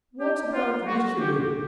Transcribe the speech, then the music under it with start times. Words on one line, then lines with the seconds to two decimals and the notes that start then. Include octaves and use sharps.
"What about Richelieu?"
0.20 G4
0.53 F4
0.86 F#4
1.19 G4